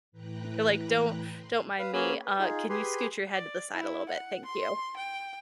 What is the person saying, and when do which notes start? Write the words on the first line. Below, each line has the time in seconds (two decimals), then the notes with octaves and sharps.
You're like, "Don't don't mind me. Uh, can you scoot your head to the side a little bit? Thank you."
0.12 A2 E3 B4 G5 A#5 F#6
1.23 C6
1.79 B4 F5
1.93 A#3 C#4 F#4 G#4 B4
2.25 B4
2.39 D#4 F4 G#4
2.69 G4 G#4 B4 G#5 C6
3.32 D5
3.73 E4
4.09 F#5
4.45 C6
4.97 G5